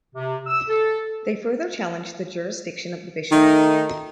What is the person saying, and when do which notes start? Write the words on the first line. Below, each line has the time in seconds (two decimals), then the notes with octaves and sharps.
They further challenged the jurisdiction of the bishop.
0.15 C3
0.47 E6
0.68 A4
3.31 D#3 A3 D#4